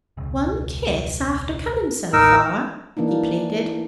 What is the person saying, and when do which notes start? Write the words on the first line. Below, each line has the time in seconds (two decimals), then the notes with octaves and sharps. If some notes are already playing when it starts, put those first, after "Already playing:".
"One kiss after coming so far," he pleaded.
0.17 E1 C#2
2.13 A1 D#2 A2 D#4 A#4 E6
2.97 E3 A#3 D4 D#4